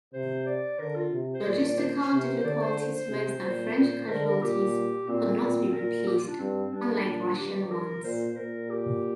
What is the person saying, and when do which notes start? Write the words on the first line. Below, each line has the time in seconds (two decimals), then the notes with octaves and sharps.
Logistical difficulties meant that French casualties could not be replaced, unlike Russian ones.
0.13 C3 C5
0.46 D5
0.79 D3 A#4
0.96 F4
1.12 C3
1.34 C5
1.45 A#2 D5
1.78 C5
2.12 C3
2.37 C5
2.43 D3 D5
2.61 C5
2.94 C5
3.10 C3
3.43 A#2 C5
3.76 A#2
4.08 D3 A#4
4.25 A#4
4.41 A#2 G4
5.07 A#2 C4
5.40 A#2
5.73 A#2 A#4
6.07 G4
6.17 F4
6.28 D4
6.39 G2 C4
6.72 G2 D4
7.05 A#2
7.38 G2 G4
7.71 A#4
8.04 A#2 C5
8.36 A#2 A#4
8.70 G4